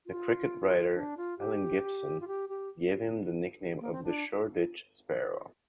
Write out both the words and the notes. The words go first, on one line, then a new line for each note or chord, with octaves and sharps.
The cricket writer, Alan Gibson, gave him the nickname of the "Shoreditch sparrow".
F4
D4
F4
G4
F4
G4
G4
A#3
C4
D4